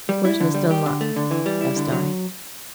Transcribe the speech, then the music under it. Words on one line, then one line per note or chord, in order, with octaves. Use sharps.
"Where's Miss Dunlop?" asked I.
G3
E4
D3
G3
G4
D3
A3
D3
E3
G3
E4
D3
F#3